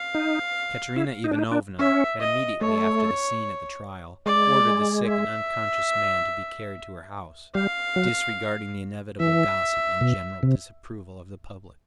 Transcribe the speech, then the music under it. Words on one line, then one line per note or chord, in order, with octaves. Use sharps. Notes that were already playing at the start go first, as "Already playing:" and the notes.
Katerina Ivanovna had immediately after the scene at the trial ordered the sick and unconscious man to be carried to her house, disregarding the inevitable gossip and general disapproval of the public.
Already playing: F5
D#4
E4
D#4
D4
D#4
D4
C#4 E5
D#5
A3 C#5
G#3 D5
E5
G3 F5
F#3
E3 E5
B2
C3